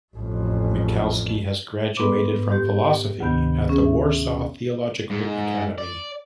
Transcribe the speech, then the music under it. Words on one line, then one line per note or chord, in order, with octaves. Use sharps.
Michalski has graduated from philosophy at the Warsaw Theological Academy.
A1 F2
G#2 B3 A4 B4 C6 D6
G4 C6 G6
D2 C3 D#3 B3 G6
C#4 G#4
E5
G#2
D5